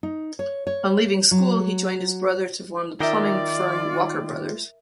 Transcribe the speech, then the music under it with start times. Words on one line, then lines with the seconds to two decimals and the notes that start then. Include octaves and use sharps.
On leaving school he joined his brother to form the plumbing firm Walker Brothers.
0.03 D#4
0.39 C#5
0.67 C#5
1.31 F#3
3.00 D#3 D#4 F4 A#4 D5 E5 G5